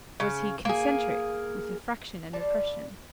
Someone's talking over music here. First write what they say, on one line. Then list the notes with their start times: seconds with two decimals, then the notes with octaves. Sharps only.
Was he concentric with infraction and repression?
0.20 C#3
0.65 A#3 G#4
2.33 G3 F4 D5 A5